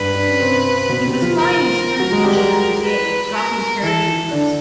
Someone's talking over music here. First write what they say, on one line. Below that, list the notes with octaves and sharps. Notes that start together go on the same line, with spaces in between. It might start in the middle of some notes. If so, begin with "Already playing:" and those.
He was flying his third mission of the day, dropping paratroopers.
Already playing: G2 G3 B4
D4
C#4
C3 C4
B2 B3
C3 C4
F3 F4
A#4
F#3 F#4
G#3 G#4
G3 G4
F#3 F#4 A#4
B4
A#4
E3 E4 A4
D3 D4